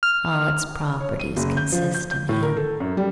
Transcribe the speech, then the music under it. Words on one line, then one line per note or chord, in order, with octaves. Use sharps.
All its properties consist in him.
F6
C#5
D#7
F#1
G6
F3
G6
G6
A2
A#4
A4
F#2
G3